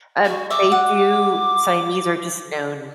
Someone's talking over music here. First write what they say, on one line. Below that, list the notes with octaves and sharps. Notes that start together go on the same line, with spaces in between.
um, they do Siamese are just known
F#4
E5 D6
F#5